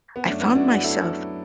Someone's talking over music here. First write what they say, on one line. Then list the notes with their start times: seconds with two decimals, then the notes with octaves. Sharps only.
I found myself
0.16 B3
0.26 F#2 F#3 A3 D4
0.40 B3 E4
0.55 D4 F#4
0.69 F#2 F#3 D4 F#4
0.84 E4 A4